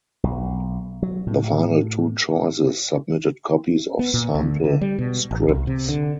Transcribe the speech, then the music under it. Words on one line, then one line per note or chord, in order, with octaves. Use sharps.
The final two choices submitted copies of sample scripts.
B1
F#3
A2
B3
A#2
D2
D3
G3
B2
A1
C2
C3
D3